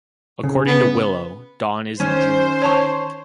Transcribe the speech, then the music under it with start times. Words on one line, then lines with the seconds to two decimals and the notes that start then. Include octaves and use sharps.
According to Willow, Dawn is in junior high.
0.43 C#3
0.67 B3
2.00 D#3 C#4 C5
2.62 C#5 A5 C#6